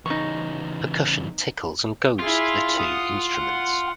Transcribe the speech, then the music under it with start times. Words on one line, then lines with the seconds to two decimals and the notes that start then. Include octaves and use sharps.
Percussion tickles and goads the two instruments.
0.06 E2 C#3 D#4 C#6
2.19 E4 F4 G#4
2.78 F#5 D#6
3.32 F#5